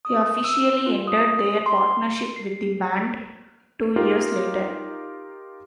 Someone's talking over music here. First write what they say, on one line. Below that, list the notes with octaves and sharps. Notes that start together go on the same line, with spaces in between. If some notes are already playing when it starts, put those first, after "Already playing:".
They officially ended their partnership with the band two years later.
D#6
E6
F4
D#6
C6
C7
D#4 F4 G4 A#4